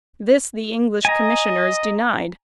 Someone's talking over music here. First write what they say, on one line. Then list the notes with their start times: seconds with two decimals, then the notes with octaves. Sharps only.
This the English Commissioners denied.
1.05 D#5 G#5 A#5